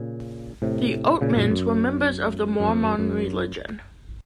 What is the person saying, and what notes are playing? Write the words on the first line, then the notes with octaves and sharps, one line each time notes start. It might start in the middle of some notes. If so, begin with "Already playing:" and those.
The Oatmans were members of the Mormon religion.
Already playing: A#2 C#3
A2 C3
A#2 C#3
F#2 A#2
F#2
F#2
F2
F#2
F#2